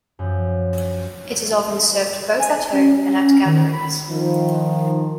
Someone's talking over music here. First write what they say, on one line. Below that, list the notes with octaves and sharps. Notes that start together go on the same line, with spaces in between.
It is often served both at home and at gatherings.
F#2 F3
G#5
C#4
D#3
B5
D#3 F3